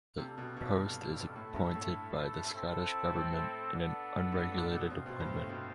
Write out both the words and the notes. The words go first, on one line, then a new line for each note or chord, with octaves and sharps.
The post is appointed by the Scottish Government in an unregulated appointment.
C3 G3 D4 F4 A4
B2
B2
G2
A2 A3 E4 A4
G2
A2
C4 E4 A4
A2
B3 D4 A4
G2
A2
B2
B2 A3 C4 F4 C5
B2
G2
A2
B2